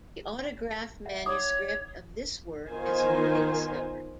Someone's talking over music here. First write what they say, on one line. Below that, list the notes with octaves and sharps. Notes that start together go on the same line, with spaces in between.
The autograph manuscript of this work has newly discovered.
E5 F#5
D#4 C#5 D6 D#6
D#3 B3 D#4 F4 C5 G#5